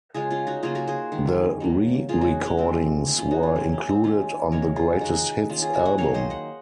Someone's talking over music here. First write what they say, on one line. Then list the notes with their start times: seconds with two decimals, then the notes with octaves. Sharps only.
The re-recordings were included on the greatest hits album.
0.14 C#3 G#3 F4 G#4
0.31 C#4 F4
0.47 D#4 F#4
0.63 C#3 F#3 A#3 F4 G#4
0.75 F#4 A#4
0.88 G#4 C5
1.12 D#3 G#3
1.60 D#3 F#3 A#3
2.09 C#3 F#3 A#3 F4 G#4
2.21 D#4 F#4
2.46 C#4
2.57 C3 F3 G#3 C4
3.06 D#3 A#3 C#4
3.18 C#4 F4
3.31 D#4 F#4
3.43 F4 G#4
3.55 C3 D#3 F#3 A#3 C4
3.72 C#4
3.88 C4 D#4
4.04 D#3 G#3 C#4 F4
4.52 C3 D#3 G#3 A#4 C#5
4.76 F4 G#4
5.00 D#3 G#3 D#4 F#4
5.49 D#3 A#3 C#4 F4
5.62 F4 G#4
5.73 F#4 A#4
5.85 D#5 F#5
5.98 D#3 F#3 A#3 C#5 F5
6.14 C5 D#5
6.30 D#5 F#5